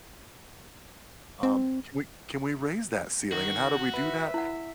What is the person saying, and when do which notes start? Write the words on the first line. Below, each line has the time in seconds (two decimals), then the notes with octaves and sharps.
Um, can we can we raise that ceiling, and how do we do that?
1.43 C4
3.32 D#3 F#4
3.94 B4 E5
4.34 E4 F#5